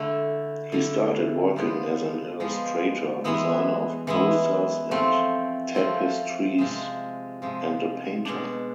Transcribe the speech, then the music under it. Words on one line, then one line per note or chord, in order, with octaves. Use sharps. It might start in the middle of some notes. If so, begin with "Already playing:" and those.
He started working as an illustrator, designer of posters and tapestries and a painter.
Already playing: D3 A3 E4
D3 A3 E4
F3 G#3 B3
F3 G#3 B3
E3 G#3 B3 E4
E3 G#3 B3 E4
F3 A3 C4
F3 A3 C4
C3 F3 G#3
C3 F3 G#3
B2 G#3 D4